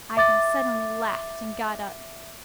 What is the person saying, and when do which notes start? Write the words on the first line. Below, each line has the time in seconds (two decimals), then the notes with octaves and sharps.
Ivan suddenly laughed and got up.
0.17 E5 D6 A6